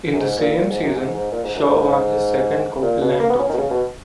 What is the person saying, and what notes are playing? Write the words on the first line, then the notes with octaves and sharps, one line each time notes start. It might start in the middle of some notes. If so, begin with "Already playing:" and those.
In the same season, Shaw won his second Copeland Trophy.
F#2
G#2
A#2
A#2
G#2
F#2
G#2
G#2
A#2
G#2
F#2
G#2
A#2
B2
A#3
B3
C#4
D#3
B2
C#3
B2